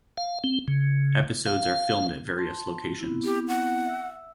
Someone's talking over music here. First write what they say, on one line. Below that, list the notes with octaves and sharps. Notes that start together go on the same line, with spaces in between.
Episodes are filmed at various locations.
F5
C4
C#3
F5
A5 C6
B3 C4 E4
G4
F#5
E5 E6